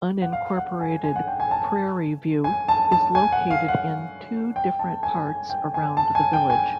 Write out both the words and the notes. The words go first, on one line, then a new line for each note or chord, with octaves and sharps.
Unincorporated Prairie View is located in two different parts around the village.
F#5
F5
F#5
G#5
G#5
F#5
G5
G#5
A5
G#5
A5
A5
G#5
F#5
F5
F#5
G5
A5
G#5
G#5
G5
G#5
A5
G#5
G5
G#5